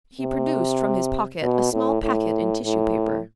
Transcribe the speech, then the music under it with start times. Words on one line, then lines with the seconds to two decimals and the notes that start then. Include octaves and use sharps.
He produced from his pocket a small packet in tissue paper.
0.20 C3
1.42 B2
1.73 A2
2.03 A2
2.64 A2